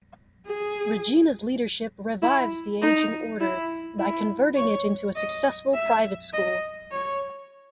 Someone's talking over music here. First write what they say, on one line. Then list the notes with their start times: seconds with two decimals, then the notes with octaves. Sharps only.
Regina's leadership revives the ageing Order by converting it into a successful private school.
0.46 G#4
2.22 E4
2.81 D#4
3.40 E4
3.99 E4
4.56 C#5
5.16 D#5
5.74 E5
6.33 D#5
6.91 C#5